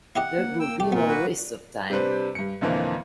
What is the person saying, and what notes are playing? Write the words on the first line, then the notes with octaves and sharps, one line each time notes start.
There would be no waste of time.
E4 G4 D#5 F#5
A#3
G5 E6
F1 F2 A3 G4
A#2 B3
A#3 F#4 B4
C3 G3 D4 B4 C5
G2 C#7
B1 F2 D3 E3 F3 A#3